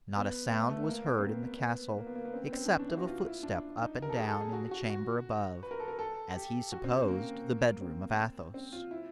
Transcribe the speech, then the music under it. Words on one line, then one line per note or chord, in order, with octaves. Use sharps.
Not a sound was heard in the castle, except of a footstep up and down, in the chamber above--as he supposed, the bedroom of Athos.
B3
A3
A3
A#3
C4
B3
B3
A#3
B3
A#3
B3
C4
B3
C4
D4
C#4
D4
E4
F#4
F4
E4
D4
D#4
A#4
A4
G#4
A4
G#4
F#4
F#4
F#4
B4
A#4
A4
A#4
A4
G4
F#4
C4
C#4
A#3
C4
C4
F4
E4